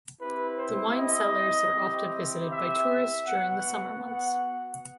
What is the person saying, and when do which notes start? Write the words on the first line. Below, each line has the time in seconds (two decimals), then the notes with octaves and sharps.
The wine cellars are often visited by tourists during the Summer months.
0.18 C4 E4 G4 B4
0.57 C5
0.96 D#5
1.72 C4 E4 G4
2.50 E5
3.27 B3 F#4 F#5
4.03 F#5